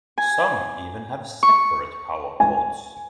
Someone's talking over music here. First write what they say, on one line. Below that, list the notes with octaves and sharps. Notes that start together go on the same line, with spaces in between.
Some even have separate power cords.
G#5
C#6
G#5